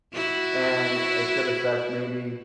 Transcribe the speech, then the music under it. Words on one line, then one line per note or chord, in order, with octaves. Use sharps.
and it could affect, maybe,
E4 F#4